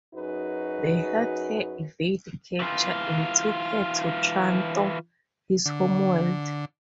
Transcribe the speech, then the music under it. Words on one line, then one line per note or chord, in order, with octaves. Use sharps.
They helped her evade capture and took her to Trantor, his homeworld.
F#2 D#4 F#4 G#4 B4
E3 F4
D3